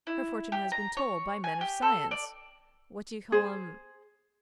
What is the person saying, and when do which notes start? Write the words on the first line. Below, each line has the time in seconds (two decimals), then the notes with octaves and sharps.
Her fortune has been told by men of science--what do you call 'em?
0.07 E4
0.52 G4
0.72 A#5
0.97 C#5
1.44 G#5
1.61 G4
1.82 A4
2.11 D5
3.32 G#4 C5